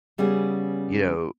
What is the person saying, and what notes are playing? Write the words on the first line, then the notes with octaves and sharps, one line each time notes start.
you know,
C#3 G3 B3 C#4 G#4